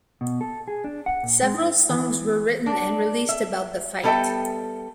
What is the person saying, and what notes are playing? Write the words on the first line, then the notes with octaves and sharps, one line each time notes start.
Several songs were written and released about the fight.
B2
A4
G#4
D4
F#5
A#2
G#3
D#4
E3
D4
E5
G3 B3 A4 D#5 E5 G5